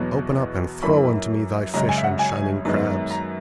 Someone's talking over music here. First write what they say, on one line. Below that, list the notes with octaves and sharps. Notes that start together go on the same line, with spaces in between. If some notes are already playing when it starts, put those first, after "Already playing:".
Open up, and throw unto me thy fish and shining crabs!
Already playing: E2 B2 F#3 B3
F#2 E3 A#3 B5
F#2 C#3 G#3 A#5
G#5
E5
F#5
G#5
F#2 D#3 G#3 B3
A#5